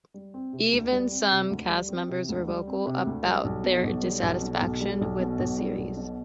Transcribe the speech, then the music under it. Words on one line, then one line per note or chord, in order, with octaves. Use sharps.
Even some castmembers were vocal about their dissatisfaction with the series.
G3
C4
C3
D2
G3
C4
C3
D2
G3
C4
C3
D2
G3
C4
C3
D2
G3
B1
B2
B1
G3
B1
B2
B1
G3
B1
B2
B1
G3
B1
B2